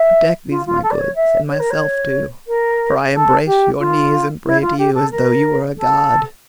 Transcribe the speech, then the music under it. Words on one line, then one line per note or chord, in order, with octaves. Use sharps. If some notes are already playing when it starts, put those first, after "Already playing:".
Protect these my goods, and myself too, for I embrace your knees and pray to you as though you were a god.
Already playing: E5
F4
F4
A4
D5
C#5
E5
C#5
A#4
C#5
A#4
A4
G4
F4
E4
F4
G4
A4
A#4
A4